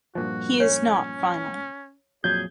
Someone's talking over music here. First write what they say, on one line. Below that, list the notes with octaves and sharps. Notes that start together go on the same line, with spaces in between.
He is not final.
G2 A#2 F3 F#4
C#4 C#5
F2 A#2 F#3 G#4 G6 G#6